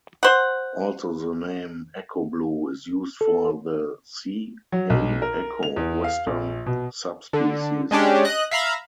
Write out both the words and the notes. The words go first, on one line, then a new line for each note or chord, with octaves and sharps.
Also the name echo blue is used for the "C. a. echo" western subspecies.
C5 F#5
A4
F#3
B1
A#4
F7
E2
F5
A#1
B2
D3
G#3 C#4 D4 G4
D#5 F#6
E5 F5 A#5 B5